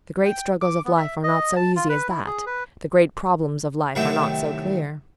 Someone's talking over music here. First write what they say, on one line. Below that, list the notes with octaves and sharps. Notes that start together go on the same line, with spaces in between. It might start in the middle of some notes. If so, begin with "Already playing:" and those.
The great struggles of life are not so easy as that; the great problems of life are not so clear.
G5
D6
B3
E5
D#5
A5
F4
B4
E4
G#4
B4
A2 C3 D#3 F#3 A3 G5